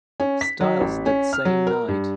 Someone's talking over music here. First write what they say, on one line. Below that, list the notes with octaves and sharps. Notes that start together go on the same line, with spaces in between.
Styles that same night.
C#4
B6
F#3
A1
C#4
F6
F#3
A#4
G2